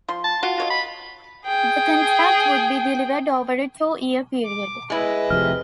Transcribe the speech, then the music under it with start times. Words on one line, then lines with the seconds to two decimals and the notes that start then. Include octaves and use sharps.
The contract would be delivered over a two-year period.
0.08 F3 C6
0.24 A5
0.43 F4 F#4
0.58 F#4 C#5 D#5
0.70 B5
1.46 G#4 G5
4.45 D6
4.90 G#3 E4 B4 D#5
5.30 F1 F2 C3 F6